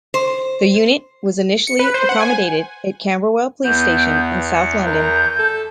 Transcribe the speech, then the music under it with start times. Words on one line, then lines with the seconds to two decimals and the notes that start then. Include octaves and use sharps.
The unit was initially accommodated at Camberwell police station in south London.
0.14 C5
1.67 C#7
1.79 B4
1.94 C5
2.09 F#5
2.21 G#5
3.65 E2 B3 G6
4.54 C#7
4.86 A#4 G6
5.39 A4